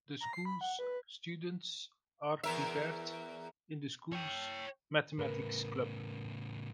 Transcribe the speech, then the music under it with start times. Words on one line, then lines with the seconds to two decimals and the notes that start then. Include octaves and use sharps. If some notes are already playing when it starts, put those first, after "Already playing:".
The school's students are prepared in the school's Mathematics Club.
0.21 A#5
0.33 C7
0.45 B5
0.61 F#5
0.79 B4
2.44 E2 A#4 E5
4.13 C#5 G5
5.19 A2 C#3 A#4 B4